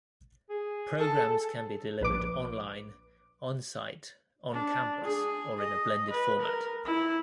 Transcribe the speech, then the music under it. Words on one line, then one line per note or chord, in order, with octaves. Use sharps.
Programs can be delivered online, onsite, on campus or in a blended format.
G#4
A4
A#1 B4 D6
D4
G#4
D#5
B4
A#4
E4